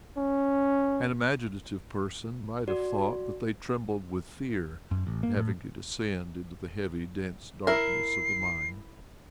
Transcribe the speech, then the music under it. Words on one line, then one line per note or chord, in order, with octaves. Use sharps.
An imaginative person might have thought that they trembled with fear at having to descend into the heavy dense darkness of the mine.
C#4
F#4 D5
F#2
A1
A#3
A2
E4 A#4 C7